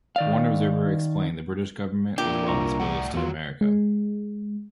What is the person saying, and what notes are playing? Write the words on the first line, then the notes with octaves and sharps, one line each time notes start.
As one observer explained, the British government was well disposed to America.
D#3 D5 F5
A#2 D4 E4 G4 A#4
C2 A#5 C#6
A2 D5 F#5
E2 F#3 G3 F4 F#4
G#3